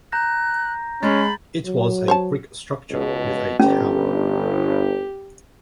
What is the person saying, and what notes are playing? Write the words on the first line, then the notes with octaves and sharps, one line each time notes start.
It was a brick structure with a tower.
A#5 F#6 G6 A#6
G#3 C#4 B5 A6
F#3
C5 C#5 A5
C#2 B2
G1 C#4 G4